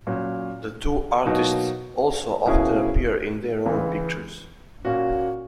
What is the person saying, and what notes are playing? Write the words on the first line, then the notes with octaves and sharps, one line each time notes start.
The two artists also often appear in their own "pictures".
A#2 F#3 C#4
B2 F#3 A#3 D#4 F#4
B2 A#3 C#4 E4 G#4
C#2 C#3 E3
A#2 A#3 C#4 F#4